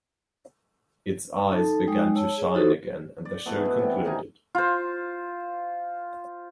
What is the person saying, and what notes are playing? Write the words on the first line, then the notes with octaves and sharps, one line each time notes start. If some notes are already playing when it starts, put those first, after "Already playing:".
Its eyes began to shine again and the show concluded.
D#4 A4 A5
G#3 D#4 G5 D#6
C#5 A5 E6
G#4 C#5
D#4 E4 F#4 G4 A4 C5
D5
E3 A3 B3
B2 E4
C3 E3 G3
D#3
D#3 A#3 D#4 G#5
F4 C5